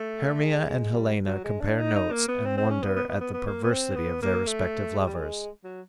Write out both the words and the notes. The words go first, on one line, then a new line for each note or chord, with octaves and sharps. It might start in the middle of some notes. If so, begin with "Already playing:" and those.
Hermia and Helena compare notes and wonder at the perversity of their respective lovers.
Already playing: A3
G#3
G#3
G3
F#3
G#3
D4
D#4
D#4
A#3
B3
C4
C4
C#4
B3
B3
B3
B3
B3
A#3
B3
C4
B3
A#3
A3
G#3
G3
G#3
F#3